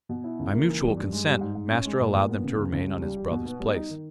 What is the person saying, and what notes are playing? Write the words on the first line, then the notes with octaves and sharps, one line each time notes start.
By mutual consent master allowed them to remain on his brother's place.
B2
E4
C#2
A#3
E3
G2
G2
G#3
G3
G#2
G#2
C#4
G#3
A#2
A#2
B3
C#3
C#2
C#2
G3
G3
G4
B2
B3
G3
D#4
D#3